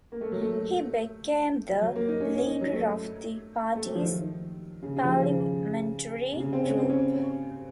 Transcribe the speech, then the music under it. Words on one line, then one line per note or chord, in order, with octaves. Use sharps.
He became the leader of the party's parliamentary group.
A#3
A3
F#3
A3
F#3
F#3
A#3
D#4
C#4
C#4
D#4
F#3
A3
A3
F#3
F3
D#3
C#3
C#3
F3
D#3
C#3
C3
C#3
C4
C#4
C4
C#4